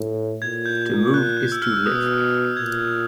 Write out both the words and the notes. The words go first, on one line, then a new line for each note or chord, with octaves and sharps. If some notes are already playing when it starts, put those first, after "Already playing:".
To move is to live.
Already playing: A2
A#2 G#6
G6
F#6
G6
E6
F6
B2 D#6
A#2 G#6